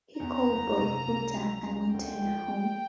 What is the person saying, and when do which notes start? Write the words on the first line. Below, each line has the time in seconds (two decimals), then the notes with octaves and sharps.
He called both Utah and Montana home.
0.20 E2 A#5
0.48 F#1
0.78 C3
1.07 C#2
1.36 F#3
1.65 C#2
1.94 D2 G5
2.24 F3